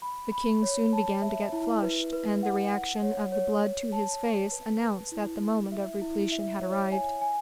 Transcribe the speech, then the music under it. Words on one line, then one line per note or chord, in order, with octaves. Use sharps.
The king soon began to get flushed and the reaction of the blood to his face announced that the moment of repletion had arrived.
B5
B5
C#5
A5
E5
E4
B4
B4
F#5
F#5
C#5
C#5
C#5
A5
A5
B4
B4
E4
E4
E5
E4
E5
C#5
G#5
G#5